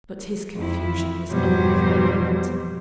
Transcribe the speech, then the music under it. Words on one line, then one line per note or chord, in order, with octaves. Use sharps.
But his confusion was only for a moment.
F2 E4
F2 G#2 B2 F#3 G3 C5